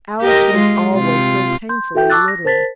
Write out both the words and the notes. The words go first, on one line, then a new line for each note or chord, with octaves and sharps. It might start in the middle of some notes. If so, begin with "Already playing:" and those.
Alice was always so painfully literal.
G4 A#4 D#5
G#3 F4
C3 F4
C6 G6
F#4 A4 E5 G5 G6
A5 C#6 D6 E6 F#6 A6
A#6
A#4 C5 A5 A6 B6